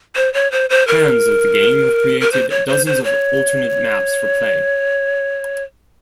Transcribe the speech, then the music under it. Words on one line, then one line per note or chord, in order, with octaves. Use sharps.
Fans of the game have created dozens of alternate maps for play.
C5
C#5
C5
C5
A#4
A#4
C5
C#5
C5
C5
C#5